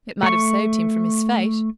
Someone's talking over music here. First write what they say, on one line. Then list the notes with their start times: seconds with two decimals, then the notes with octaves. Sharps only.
"It might have saved him from his fate."
0.23 A3 C#6